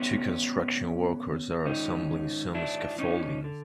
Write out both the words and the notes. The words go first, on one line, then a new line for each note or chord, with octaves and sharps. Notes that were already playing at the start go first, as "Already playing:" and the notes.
Two construction workers are assembling some scaffolding.
Already playing: A2 E3 B3 C#4
G#2 D#3 C#4 D#4
D4 E4
C#4 D#4
D3